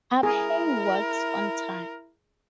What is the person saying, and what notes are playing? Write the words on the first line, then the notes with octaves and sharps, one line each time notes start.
Abhay works on time.
E4 G#4 A#4